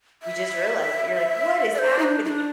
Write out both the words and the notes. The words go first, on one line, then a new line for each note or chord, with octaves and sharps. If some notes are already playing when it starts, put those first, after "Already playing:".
You just realize it, you're like, "What is happening?!"
E5
D5
C5
E4
D4
E4
D4